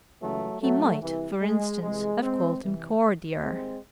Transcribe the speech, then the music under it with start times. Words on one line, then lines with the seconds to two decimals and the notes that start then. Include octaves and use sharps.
He might, for instance, have called him Cordier.
0.21 C#2 C#3 E3 F#3 A3
0.62 F#3 A3
1.02 C2 C3 E3
1.43 G#3
1.83 C2 C3 E3 G#3
2.22 G#3 C4
2.63 C2 C3 E3
3.43 C2 C3 D#3 G#3 C4